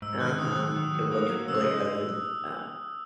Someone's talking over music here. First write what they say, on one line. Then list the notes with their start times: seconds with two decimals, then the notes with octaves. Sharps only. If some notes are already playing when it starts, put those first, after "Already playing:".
Uh-huh, it looks really ugly, yeah,
0.02 G#2 E6
0.20 D#3 F#6
0.39 D#3 D#6
0.57 F#3
0.76 D#3
0.94 F#3
1.11 A#3 D#6
1.30 F#3
1.48 C#3 E6
1.67 G#3